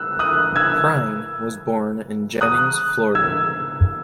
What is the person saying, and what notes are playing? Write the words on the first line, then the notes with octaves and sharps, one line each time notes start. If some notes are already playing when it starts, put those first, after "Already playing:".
Prine was born in Jennings, Florida.
Already playing: E6 F#6
D#6 F#6
E6 G#6
D#6 F#6
E6 G#6